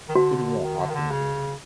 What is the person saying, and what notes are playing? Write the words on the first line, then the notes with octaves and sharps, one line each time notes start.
It won’t happen again.
D#3
D3 F#4
D#3
D3
D#3
D3
C#3